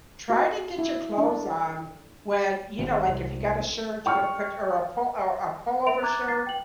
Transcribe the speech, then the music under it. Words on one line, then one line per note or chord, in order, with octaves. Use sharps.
Try to get your clothes on when, you know, like, if you got a shirt, you gotta put y or a pull or a pullover shirt,
F#4
E4
D4
G#1
C2
G5 C#6 F6
A#4 E5 D7 F7
A#5 D6 F#6 G#6 A6
A#5 D6 A6 C7
G5 F#7